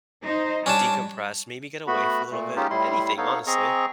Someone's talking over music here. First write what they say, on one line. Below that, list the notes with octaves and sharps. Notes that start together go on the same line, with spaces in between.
decompress, maybe get away for a little bit, anything, honestly.
D#4 C5
G3 C#4 D4 A5
A3 B3 F#4 B5
A#2 A3
G#3 C#4 D#4 F4 G4
A2 G3 E4 C6
B3 D#4 A4 C#5 F5
C4 G#4 D#5 A#5 C#6